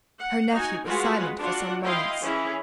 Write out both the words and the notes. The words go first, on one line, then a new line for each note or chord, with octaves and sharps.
Her nephew was silent for some moments.
F#5
D#4 F#4 G#5
G#3 F4 F#4 G#4 B4 F#5
D4 F4 F#4 F#5
E4 D#5 F5 G5 C6
E3 C#4 E4 G#4